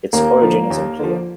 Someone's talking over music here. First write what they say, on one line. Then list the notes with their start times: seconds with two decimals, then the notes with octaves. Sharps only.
Its origin is unclear.
0.13 D#2 A#3 A#4
0.42 D3 F3
0.70 D#2
0.99 D3 F3